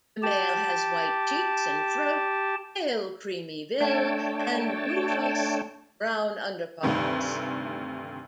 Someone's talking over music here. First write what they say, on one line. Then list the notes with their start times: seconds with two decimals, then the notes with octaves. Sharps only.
The male has white cheeks and throat, pale creamy bill, and rufous-brown underparts.
0.23 G4 A5
3.81 A3 D4 C#5 G5 A5
6.83 D2 G2 C3 D#3 A3